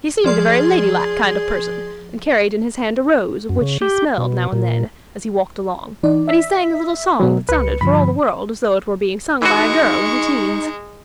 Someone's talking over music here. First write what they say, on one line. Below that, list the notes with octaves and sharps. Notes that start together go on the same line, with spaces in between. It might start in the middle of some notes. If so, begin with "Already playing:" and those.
He seemed a very ladylike kind of person and carried in his hand a rose of which he smelled now and then as he walked along, and he sang a little song that sounded for all the world as though it were being sung by a girl in her teens.
F3 G#4 D5 C6
F#2
C#3
G4
B2
A#2
E3 D#4 D5
E5 E6 B6
B2 F#3
C#2 B4 C#7
G2 D3 F3 B5
E3 G#3 D#4 F#4 C#6